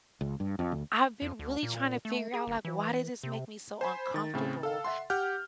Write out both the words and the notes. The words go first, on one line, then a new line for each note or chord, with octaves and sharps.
I've been really trying to figure out, like, why does this make me so uncomfortable
C#2
G2
F2
D2
F2
D2
A#2
A3
G#4
G1
E3
C3
C5 G#5 B5
D#3 A6
A2 C#3 C4
A4 F5
E5 F#5 C6
G4 F#5 F6 G6